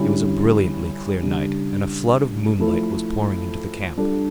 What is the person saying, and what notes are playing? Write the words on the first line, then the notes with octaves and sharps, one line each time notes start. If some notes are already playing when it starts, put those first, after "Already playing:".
It was a brilliantly clear night and a flood of moonlight was pouring into the camp.
Already playing: D3 G3 C#4 E4
C#3 G3 D4
F3 A3 E4 A4
G3 D4 F4 A4